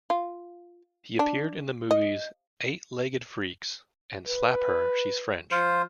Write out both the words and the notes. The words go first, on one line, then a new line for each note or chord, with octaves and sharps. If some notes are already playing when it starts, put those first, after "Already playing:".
He appeared in the movies "Eight Legged Freaks" and "Slap Her... She's French".
F4
D4
D#5
B4
F3 F4 C5